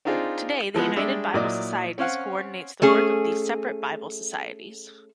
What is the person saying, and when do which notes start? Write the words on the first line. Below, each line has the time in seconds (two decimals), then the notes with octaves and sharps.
Today the United Bible Societies co-ordinates the work of these separate Bible Societies.
0.05 C4 D4 D#4 F4 G#4
0.75 E3 F3 G#3 B3
0.96 G3 G#3 D4 E5
1.34 A#2 F#3 E4 D5 D#5 D6
1.98 C4 C#4 C#5 F5 F#5
2.82 A3 C#4 G#4